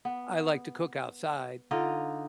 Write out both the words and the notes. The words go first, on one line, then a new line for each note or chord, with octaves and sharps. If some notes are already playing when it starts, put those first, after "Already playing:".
I like to cook outside
B3
D3 D#4 F4 D#5